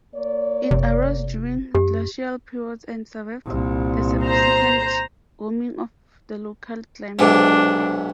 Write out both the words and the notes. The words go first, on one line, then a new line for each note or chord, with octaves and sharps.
It arose during glacial periods and survived the subsequent warming of the local climate.
A#3 C#5 D5
F#1 C3
F#2 G4
C2 A#2
C5 A#5
B1 G#2 C3 D4